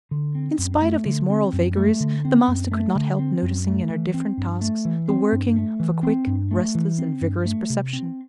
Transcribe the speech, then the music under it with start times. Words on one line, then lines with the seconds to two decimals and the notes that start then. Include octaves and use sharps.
In spite of these moral vagaries, the master could not help noticing in her different tasks the working of a quick, restless, and vigorous perception.
0.11 D3
0.35 C4
0.58 F#2
0.82 A3
1.06 D3
1.30 C4
1.53 F#2
1.77 A3
2.00 D3
2.25 C4
2.48 F#2
2.72 A3
2.95 D3
3.19 C4
3.42 F#2
3.67 A3
3.90 E3
4.14 C4
4.38 G2
4.61 A3
4.85 E3
5.09 C4
5.32 G2
5.56 A3
5.80 E3
6.03 C4
6.27 G2
6.51 A3
6.75 E3
6.99 C4
7.21 G2
7.45 A3
7.70 C3
7.93 C4